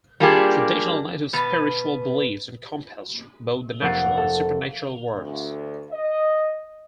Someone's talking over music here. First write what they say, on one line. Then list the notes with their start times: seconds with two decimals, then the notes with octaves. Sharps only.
Traditional native spiritual beliefs encompassed both the natural and supernatural worlds.
0.20 G3 A#3 D4 F4 G4 G#4
1.33 B2 B3
3.82 F1 A#3 F#5 A6 C7 D7
4.17 A4
5.16 D2
5.91 D#5